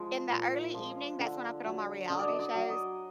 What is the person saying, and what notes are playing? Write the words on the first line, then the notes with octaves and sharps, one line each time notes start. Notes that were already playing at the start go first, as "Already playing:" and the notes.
in the early evening, that's when I put on my reality shows,
Already playing: F3 G#3 F5
A#2
F3 G#3
D3
F#3
D3 D#5
D5
D#5
D5
F#3
D#5